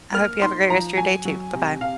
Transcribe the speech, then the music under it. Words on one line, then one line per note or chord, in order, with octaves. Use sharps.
I hope you have a great rest of your day too, bye-bye.
A#3 F6
D#4 C6
F3 A#5
F#3 G#5
F#3
C3
C3 F5